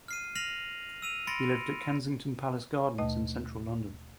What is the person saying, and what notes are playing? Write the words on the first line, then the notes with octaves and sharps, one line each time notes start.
He lived at Kensington Palace Gardens in central London.
F6 C7 D#7
F6 A#6 C7 D#7 F7 F#7
E6 D#7 F7
B5 C6 A6 A#6 C#7 D7
D#2 B2 A3 D#5